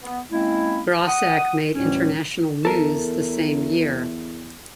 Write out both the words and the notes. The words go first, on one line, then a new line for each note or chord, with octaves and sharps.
Grossack made international news the same year.
B3
G#3 A#3 C4 C#4 E4
F#5 D#6
D2 A2 E3 G3 C#4
E2 A4 A#4